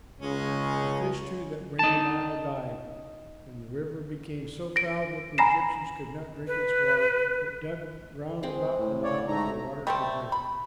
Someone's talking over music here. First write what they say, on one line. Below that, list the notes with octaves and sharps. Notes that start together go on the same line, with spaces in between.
The fish, too, that were in the Nile died, and the river became so foul that the Egyptians could not drink its water, but dug round about the Nile for water to drink.
C#2 C#3 G#3 C#4
D#4 A5
A#6 D7
G#5 A#5 B5 A#6 C7 E7
B4
G#3 C4
A2
C#5 D5
G#2 A3 A#5
G3 A3 C4
B5